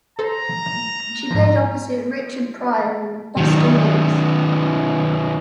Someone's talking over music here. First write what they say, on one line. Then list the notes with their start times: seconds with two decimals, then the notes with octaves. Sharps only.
She played opposite Richard Pryor in "Bustin' Loose".
0.19 A4 C5 A#5
1.30 G#2 F3
3.37 D#3 F#3